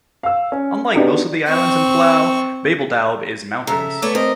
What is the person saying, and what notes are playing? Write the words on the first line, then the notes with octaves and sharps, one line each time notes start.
Unlike most of the islands of Palau, Babeldaob is mountainous.
F5 E6
C#4
B3 D4 D#4 F#4 G4
C4 C#6
C#3 A4 E5 A#5
A3 B3 C#5 D5
C4 A#4 D#5